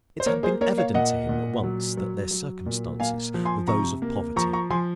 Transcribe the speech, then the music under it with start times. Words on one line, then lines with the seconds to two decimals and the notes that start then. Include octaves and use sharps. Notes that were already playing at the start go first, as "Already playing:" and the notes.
It had been evident to him at once that their circumstances were those of poverty.
0.20 C5
0.26 A#3 A#4 C#5
0.43 G#4 C5
0.61 A#3 A#4 C#5
0.78 C#5 F5
0.94 A#2 D#5 F#5
1.29 A#2
1.63 F#3
1.97 F#3
2.31 F#3
2.66 A#2
3.00 A#3 F5 G#5
3.34 F3
3.45 G#5 C6
3.68 C3 A#5 C#6
4.02 A#3
4.36 F3 A#5 C#6
4.53 A#5 C#6
4.70 F3 G#5 C6